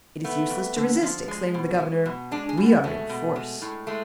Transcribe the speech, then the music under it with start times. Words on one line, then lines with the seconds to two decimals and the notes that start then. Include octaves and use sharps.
"It is useless to resist," exclaimed the governor, "we are in force."
0.24 A3 B3
0.50 F2
0.76 D3
1.02 F3
1.28 G#3
1.54 B2
1.80 G#3
2.06 B2
2.31 G#3 D4
2.49 G#4
2.57 B2
2.66 B3
2.84 G#3 A3
3.09 B2
3.36 G#3
3.62 A2
3.87 G#3 A3